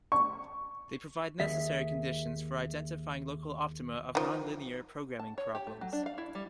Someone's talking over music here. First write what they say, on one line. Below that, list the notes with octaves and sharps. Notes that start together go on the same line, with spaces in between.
They provide necessary conditions for identifying local optima of non-linear programming problems.
C#6
D#2 G#4 E5
D#3 F3
A5
C#5
G4
A3
F#3
D4
F5
E4
G3